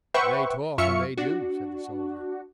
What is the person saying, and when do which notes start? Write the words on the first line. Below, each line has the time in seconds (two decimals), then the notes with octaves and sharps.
"They talk--and they do," said the soldier.
0.14 B4 C5 E5 F#5 G5 C#6
0.78 F#2 F4 E5 C#6 F6 C#7
1.17 D4 F#4